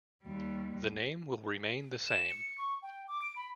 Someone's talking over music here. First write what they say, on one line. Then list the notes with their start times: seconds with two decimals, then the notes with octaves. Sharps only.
The name will remain the same.
0.23 D#2 G3
2.06 E7
2.30 C#7
2.58 C#6
2.83 G5
3.08 D6
3.22 D7
3.36 B5